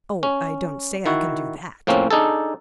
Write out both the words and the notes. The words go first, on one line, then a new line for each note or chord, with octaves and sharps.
"Oh, I don't say I can do that."
C#4
D#3 E4 F#4
A2 F3 A#3 C4 C#4
D4 D#4 G#4 A4